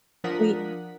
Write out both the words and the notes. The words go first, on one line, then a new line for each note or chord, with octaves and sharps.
Oh, yeah.
F3 D4 A#4 F#5 D#6 B6